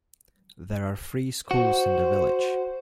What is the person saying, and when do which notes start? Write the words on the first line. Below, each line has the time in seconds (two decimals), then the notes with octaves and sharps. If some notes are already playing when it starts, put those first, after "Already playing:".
There are three schools in the village.
1.51 F#4 C5